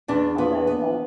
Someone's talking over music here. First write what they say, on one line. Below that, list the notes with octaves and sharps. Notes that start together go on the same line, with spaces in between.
all that stuff.
E2 D4
B3
B3